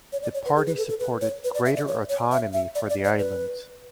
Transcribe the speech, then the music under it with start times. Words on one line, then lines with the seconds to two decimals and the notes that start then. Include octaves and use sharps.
The parties supported greater autonomy for the islands.
0.13 C#5
0.23 D5
0.34 C#5
0.45 B4
0.56 G#4
0.67 B4
0.78 A4
0.89 A4
1.00 B4
1.21 C#5
1.44 B4
1.55 D5
1.65 E5
1.76 D5
1.88 C#5
2.09 C#5
2.32 E5
2.53 E5
2.75 D5
2.90 D5
3.04 D5
3.19 B4